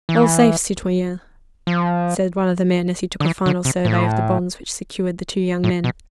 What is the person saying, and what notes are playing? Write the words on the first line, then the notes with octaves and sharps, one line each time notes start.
"All safe, citoyen!" said one of the men, as he took a final survey of the bonds which secured the two young men.
E3
F3
D3
E3
D3
C3
A2
A2
B2